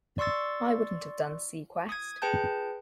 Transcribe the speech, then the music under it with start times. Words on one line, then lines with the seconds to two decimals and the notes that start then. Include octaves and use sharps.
I wouldn't have done "seaQuest".
0.18 D5 C6 C#6 E6 A6
1.89 D#6 G#6
2.22 G#4 B4 G5 A5 G6